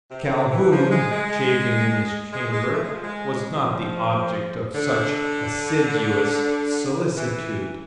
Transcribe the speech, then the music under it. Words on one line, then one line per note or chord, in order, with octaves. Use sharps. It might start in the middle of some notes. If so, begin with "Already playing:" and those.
Calhoun, chafing in his chamber, was not the object of such assiduous solicitude.
C3
D3
E3
F3
G#3
G#3
G#3
G#3
A3
G#3
F3
G#3
F3
D3
E3